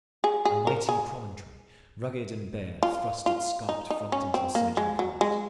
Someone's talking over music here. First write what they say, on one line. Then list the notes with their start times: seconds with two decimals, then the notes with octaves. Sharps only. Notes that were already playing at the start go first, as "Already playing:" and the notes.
A mighty promontory, rugged and bare, thrust its scarped front into the surging current.
0.24 G#4
0.45 G#4
0.67 A#4
0.89 G#4
2.83 F4
3.26 F4
3.69 D#4
3.90 D#4
4.12 C#4
4.34 C4
4.55 A#3
4.77 G#3
4.99 F#3
5.21 G#3